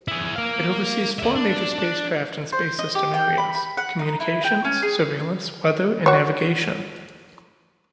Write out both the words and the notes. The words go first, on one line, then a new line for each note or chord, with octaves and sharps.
It oversees four major spacecraft and space system areas: communications, surveillance, weather, and navigation.
E4 G#4
A#4 F5
D5 E5
D4
D4
C5
D#5
G4
G5
B5
B5
F#5
D#4
E4
G5
C#4
G#4
F#4 C#5